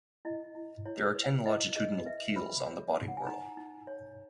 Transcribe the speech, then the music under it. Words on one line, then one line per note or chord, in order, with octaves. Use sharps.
There are ten longitudinal keels on the body whorl.
E4 D#5
E4
E4 C#5
B4
E4 D#5
G#4 D#5
B4 E5
B4 B5
C#5
D#4
F#5
G#5
D#4 A#5
D#4
C#5